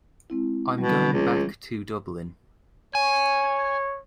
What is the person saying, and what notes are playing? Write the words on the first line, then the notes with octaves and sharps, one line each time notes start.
I'm going back to Dublin.
G#3 C4 E4
B2 E3 F#3 G3
C#2
C#5 G#5